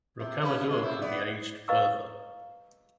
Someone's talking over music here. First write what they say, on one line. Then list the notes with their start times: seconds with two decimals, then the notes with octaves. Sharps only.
Rocamadour can be aged further.
0.20 C3
0.41 F3 C#4 B4
0.66 C#3 G#3
0.82 C3 E4
1.02 B3 D5
1.68 B4 D#5 F5 A#5 C#6 E6